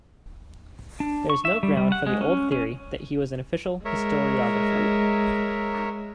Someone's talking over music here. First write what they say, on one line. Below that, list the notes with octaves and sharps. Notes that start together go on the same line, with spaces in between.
There is no ground for the old theory that he was an official historiographer.
D4
C#6
E5
G3
G3
F#5
G#3
C#4
C#4
G#3 A#4 C#5 E5